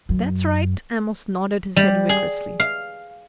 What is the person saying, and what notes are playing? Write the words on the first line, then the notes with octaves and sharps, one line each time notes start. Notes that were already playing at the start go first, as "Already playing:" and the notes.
"That's right," Amos nodded his head vigorously.
F#2
G3
G#4
F5